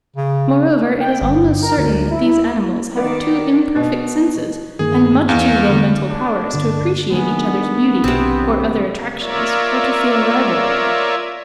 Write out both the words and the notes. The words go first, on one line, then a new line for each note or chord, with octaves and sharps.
Moreover it is almost certain that these animals have too imperfect senses and much too low mental powers to appreciate each other's beauty or other attractions, or to feel rivalry.
C#3
G5
G1
A#4
D2
E4
D#3 B3 D5
B2
G2 D#3 A#3 G#4
E2 F5
D3 A3
D4
G2 D3
D#3 F#3 G#3 A#3 B3 D4
B1 C3 C4
F4 A#4 C#5 D5 E5